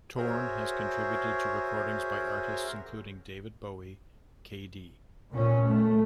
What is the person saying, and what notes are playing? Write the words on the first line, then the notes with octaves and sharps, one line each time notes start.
Torn has contributed to recordings by artists including David Bowie, k.d.
F#4 G#4 A#4 C5 C#5 E5
A#2 C#4
A3